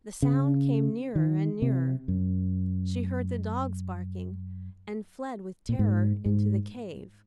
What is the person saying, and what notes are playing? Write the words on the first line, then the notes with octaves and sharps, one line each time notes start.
The sound came nearer and nearer; she heard the dogs barking, and fled with terror into the cave.
C#3
D#3
C3
F#2
A#2
G#2
G#2